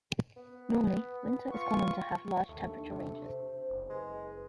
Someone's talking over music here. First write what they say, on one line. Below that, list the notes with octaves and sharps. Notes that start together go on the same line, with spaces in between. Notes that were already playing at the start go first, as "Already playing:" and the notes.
Normally, winter is common to have large temperature ranges.
B3
F4 C#6
D#2 A3
D4
C3
C5
F#1
G#3 B4